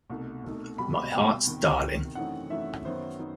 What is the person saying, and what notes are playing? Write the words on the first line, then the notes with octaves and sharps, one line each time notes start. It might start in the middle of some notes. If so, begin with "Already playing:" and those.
My heart’s darling!
C2 B2 A3 D#4
C2 B2 A3 D#4
C2 B2 G3 B5
B5
C2 B2 G3 G5
E2 C3 D#3
E2 C3 D#3
F#2 E3 A3 C4 D#4 F#5
F#2 E3 A3 C4 D#4 E5
F#2 D#3 F#3 B3 D#4 C5
B3 D#4